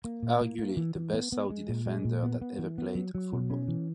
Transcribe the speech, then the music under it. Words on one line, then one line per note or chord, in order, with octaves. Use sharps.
Arguably, the best Saudi defender that ever played football.
A#3
A#2
A#3
A#3
E3
E3
B3
B3
G#3
A#2
G#3
A#2
B3
B3
E3
B3
F#3
F#3
B2
C#4
E3